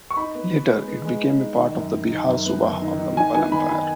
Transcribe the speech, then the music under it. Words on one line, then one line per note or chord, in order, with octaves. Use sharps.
Later, it became a part of the Bihar Subah of the Mughal empire.
C#6
D#4 B5
B3
B3
G#3
B3
G#3
B3
D#4
D#3
F#2
D#3
D#4
F#2
B3
F#2
D#3
D#3
D#3 G#5
B3 G#5
D#3 B5
D#3 B5